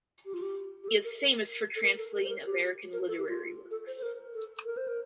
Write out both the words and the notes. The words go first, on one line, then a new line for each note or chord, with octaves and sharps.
He is famous for translating American literary works.
G4
F4
G4
G4
A4
A#4
A#4
A4
A#4
A4
A#4
C5
A#4
G4
A#4
A4
G4
F4
A4
C5
C5
A#4
A4
A#4
C5
A#4